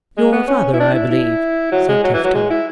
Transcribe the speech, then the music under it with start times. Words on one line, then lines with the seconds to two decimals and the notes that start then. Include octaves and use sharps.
"Your father, I believe?" said Tifto.
0.17 G#3
0.32 B3
0.47 C#4
0.73 E4
0.80 D4
0.94 E4
1.10 E4
1.72 F#3
1.88 G#3
2.04 F#3
2.14 E3
2.24 F#3
2.35 G#3
2.50 E4